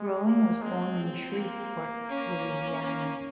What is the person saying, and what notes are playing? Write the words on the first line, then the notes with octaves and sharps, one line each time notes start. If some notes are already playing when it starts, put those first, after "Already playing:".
Rolling was born in Shreveport, Louisiana.
Already playing: G#3
A#3
G#3 C4
A#3
C#4
A#3